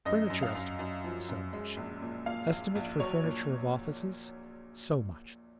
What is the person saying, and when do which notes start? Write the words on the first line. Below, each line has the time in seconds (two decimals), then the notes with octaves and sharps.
Furniture estimate, so much. Estimate for furniture of offices, so much.
0.05 F#2 D#5
0.30 F#2
0.43 F5
0.55 F#2
0.79 F#2
1.04 F3
1.28 F#2
1.53 G#3
1.77 A#1
2.02 A#2
2.26 A#2 F5
2.50 A#1
2.75 A#1
2.99 F#3 C#5
3.24 A#2